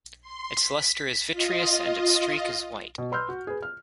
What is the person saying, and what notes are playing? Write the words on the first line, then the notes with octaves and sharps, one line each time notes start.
Its luster is vitreous and its streak is white.
C6
B6
F4 D#5
B2
B4 B5 C6 E6 F6 G6
F#4
G#4 B4
F6